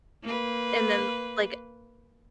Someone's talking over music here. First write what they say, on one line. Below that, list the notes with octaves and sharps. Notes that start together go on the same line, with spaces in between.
and then, like,
A#3 B4